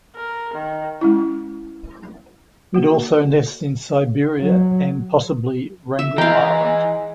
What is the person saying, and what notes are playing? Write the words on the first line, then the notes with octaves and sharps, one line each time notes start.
It also nests in Siberia and possibly Wrangel Island.
A#4
D#3
G#3 C#4 E4
A#3 F#4
F#3
E5
E3 G#3 F5 G5 A#5